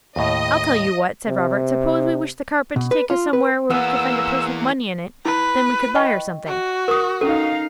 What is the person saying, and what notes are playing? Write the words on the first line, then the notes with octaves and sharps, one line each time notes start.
'I'll tell you what,' said Robert. 'Suppose we wished the carpet to take us somewhere where we could find a purse with money in it--then we could buy her something.'
D#2 A2 D#5
C3
B2
B4
F4
B4
E3 A#3 B3 G#4 E6
E4 B4
D#5 G5 C#6
F#4
A#4 D#6
C#4 D#4 A4 F5